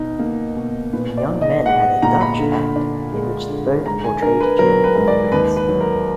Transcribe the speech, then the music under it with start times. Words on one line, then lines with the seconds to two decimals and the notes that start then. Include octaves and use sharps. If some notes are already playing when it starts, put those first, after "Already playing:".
The young men had a "Dutch act" in which both portrayed German immigrants.
Already playing: B2 D#4
0.19 A#3
0.56 B2
0.93 A#2 B4
1.17 D5
1.29 D#4
1.41 D#5
1.66 G#3 F#5
2.02 A#2 A#5
2.21 B5
2.39 D3
2.76 D4
3.13 G#3
3.49 D3
3.86 G#2 A#5
4.04 G#5
4.22 D4 A#4
4.41 B4
4.59 F#3 A#4
4.84 B4
4.95 G#2
5.08 D5
5.32 D#2 B4
5.56 B4
5.69 F#3
5.81 A#4